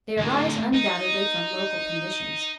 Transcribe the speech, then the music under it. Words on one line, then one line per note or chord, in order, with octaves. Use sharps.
They arise undoubtedly from local conditions.
D2 A2
D#4